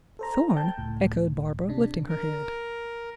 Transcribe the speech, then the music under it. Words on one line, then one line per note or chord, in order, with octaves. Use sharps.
"Thorn!" echoed Barbara, lifting her head.
A4 C5 A#5
G5 A5 G6
C#2 A2
C3 D4
A#4